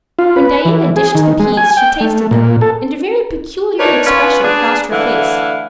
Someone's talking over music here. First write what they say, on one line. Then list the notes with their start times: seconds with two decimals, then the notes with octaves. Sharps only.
When Diana dished the peas she tasted them and a very peculiar expression crossed her face.
0.19 F4
0.36 B4
0.65 E3
0.96 G#4
1.15 D#3
1.39 G#3
1.57 G#5
1.77 G5
2.01 A3
2.31 A#2
2.61 A4
3.78 D4 D#4 A#4 B4 C#5
4.06 B3 C#4 F4 B4 C#5 F5
4.43 D4 G#4 B4
4.91 D3 E3 A3 E4 F5 F#5